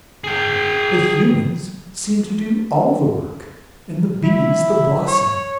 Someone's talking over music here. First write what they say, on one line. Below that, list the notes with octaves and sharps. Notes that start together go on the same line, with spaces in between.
"The humans seem to do all the work, and the bees the bossing!"
G#4 G5
E4
C#5